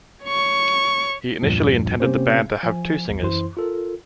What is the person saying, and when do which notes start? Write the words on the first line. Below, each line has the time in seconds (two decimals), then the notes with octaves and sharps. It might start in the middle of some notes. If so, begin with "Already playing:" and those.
He initially intended the band to have two singers.
0.25 C#5 C#6
1.42 E2 G2 A#2 F3 G3 D4
2.00 C3 A#3 C4 C#4 G4 C5
2.63 F3 G#5
3.09 A#1 E2
3.22 F#2 E3 E4 C5 C6
3.57 F4 A4 A#4